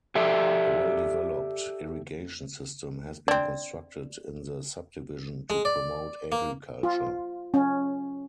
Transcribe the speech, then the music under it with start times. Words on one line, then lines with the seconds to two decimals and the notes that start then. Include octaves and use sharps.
A well-developed irrigation system has been constructed in the subdivision to promote agriculture.
0.15 G4 A4 D5 E5
3.28 C4 D4 D5
5.50 G#3
5.65 D5
6.32 A#3
6.83 F4
7.54 C#4